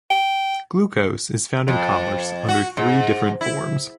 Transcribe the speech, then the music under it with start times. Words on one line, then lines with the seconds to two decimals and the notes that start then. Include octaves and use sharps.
Glucose is found in commerce under three different forms.
0.11 G5
1.68 F2
2.48 F#4
2.77 G#2
3.41 E4